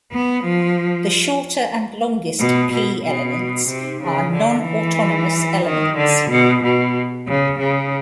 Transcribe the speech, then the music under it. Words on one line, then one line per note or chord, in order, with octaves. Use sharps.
The shorter and longest P elements are nonautonomous elements.
B3
F3
B2
B2
B2
C3
C#3
D3
E3
D#3
D3
B2
B2
C#3
C#3